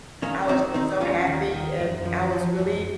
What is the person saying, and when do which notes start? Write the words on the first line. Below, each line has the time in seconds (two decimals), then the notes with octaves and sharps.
I was just so happy and I was really,
0.22 D#3 A#3 C#4
0.48 D#3 C4 D#4
0.74 D#3 C4 D#4
1.00 D#2 C#4 F4
1.27 D#3
1.54 D#3
1.80 F#2
2.05 F3
2.32 F3
2.59 F#2